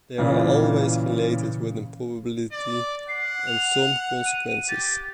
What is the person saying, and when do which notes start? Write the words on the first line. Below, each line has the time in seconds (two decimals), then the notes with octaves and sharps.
They are always related with a probability and some consequences.
0.18 A#2 C#3 E3
2.52 D5
3.09 F#5 C7
3.47 F7
4.26 D#7
4.68 G4 A6